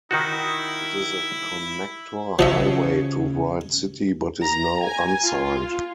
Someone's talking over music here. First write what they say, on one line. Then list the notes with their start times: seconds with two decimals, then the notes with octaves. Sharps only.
It is a connector highway to Wright City, but is now unsigned.
0.11 D#3 D#4 E4 F#4
2.39 C#3 F3 C#4 D#5 E5
4.41 A#5
4.82 G#5
5.24 F4